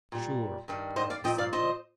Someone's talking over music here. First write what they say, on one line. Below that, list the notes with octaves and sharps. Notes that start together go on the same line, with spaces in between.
"Sure," Park assented.
A#2 G3
G2 D#3 G3
C5 D#5
D5 F5
A#2 F3 D#5 G5
D5 F5
C5 D#5